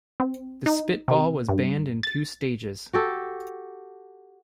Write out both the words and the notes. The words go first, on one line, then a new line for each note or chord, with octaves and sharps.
The spitball was banned in two stages.
C4
D#4
C3
G2
A6
F#4 G4 A4